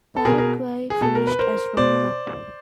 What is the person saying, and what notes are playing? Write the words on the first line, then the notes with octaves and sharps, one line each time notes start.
Paraguay finished as runner-up.
A4
B2 G#4 A#4
G#4 A#4
G#4
B2 A4
A#4
B4
A#4 C5
B2 C5 D5